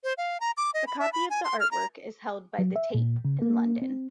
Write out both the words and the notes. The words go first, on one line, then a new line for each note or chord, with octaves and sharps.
A copy of the artwork is held by the Tate in London.
C5
F5
A#5
D6
D#5
B5
E5
B5
G#5
C6
F6
A#5
F#3
E5
A#2
C#3
A#3
C4